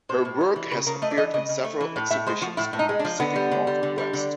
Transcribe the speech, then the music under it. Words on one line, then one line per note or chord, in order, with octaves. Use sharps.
Her work has appeared in several exhibitions in the Pacific Northwest.
A2 C5
A2
G3
E3
C#3 B4
C#3 A#4
A3 D#5
D5
E3 D#5
C#3 D#5
C#3
A3
E3
A2
A2 E5
G#3 C5
F3 F#4
A2 E4
A2
D#4
G#3
D4
F3
D3 B3
G3
D3
G3
D3
G3
D3